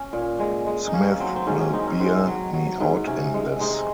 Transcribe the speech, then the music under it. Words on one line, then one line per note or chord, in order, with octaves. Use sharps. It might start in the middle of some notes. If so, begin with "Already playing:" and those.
Smith will bear me out in this.
Already playing: C#4
A#2
G#3
G#3
D#4
A#3 C#4
F#3 C4
C4
G#2 C#4
C#4
G#2 C4 D#4
C#4
G#2 C4
F#3
F#3
G#2
C3 C#4
G#3
G#3 C4 D#4